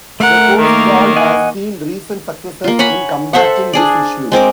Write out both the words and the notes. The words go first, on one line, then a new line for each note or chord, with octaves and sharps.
The Coast Guard has seen recent successes in combating this issue.
A3 A#4 F#5
D#3 A#3
D#5 F#5 G#5
A#3 F4
C#5 F#5 G#5 B5
A4 C5 E5 F#5
D4 G#4 D5
G#3 C4 A#4 D6